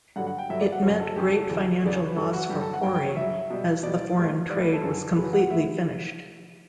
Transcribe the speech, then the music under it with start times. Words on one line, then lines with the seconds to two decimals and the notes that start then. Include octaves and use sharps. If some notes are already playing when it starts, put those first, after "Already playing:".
It meant great financial loss for Pori as the foreign trade was completely finished.
0.16 G2 D3 F#3 F#5
0.27 F#5
0.38 G5
0.50 G2 D3 F#3 E5
0.61 D5
0.72 F#5
0.82 F#2 C#3 F#3 C#5
1.00 A4
1.16 F#2 C#3 F#3 G4
1.32 A4
1.50 E2 C#3 F#3
1.83 E2 C#3 F#3 D5
1.95 C#5
2.06 B4
2.16 G2 D3 F#3 A4
2.33 F#4
2.50 G2 D3 F#3 G4
2.61 A4
2.74 F#5
2.82 G2 F#3 G5
2.94 G5
3.06 C#5
3.16 G2 F#3 E5
3.50 B2 G3
3.83 B2 G3 D5
4.16 A2 G3
4.50 G3 D5
4.54 A2
4.61 B4
4.73 A4
4.84 F#2 C#3 F#3
5.16 F#2 C#3 F#3 B4
5.33 F#5
5.50 A2 E5